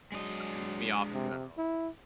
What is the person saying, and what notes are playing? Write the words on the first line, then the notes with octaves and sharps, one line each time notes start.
pisses me off in general, so
F#3 G#3 D4 D#5
C3
E4